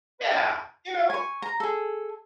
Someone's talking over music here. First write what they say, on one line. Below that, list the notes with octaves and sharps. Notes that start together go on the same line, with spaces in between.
Yeah, you know?
G#5 C#6
A#5
G#4 A4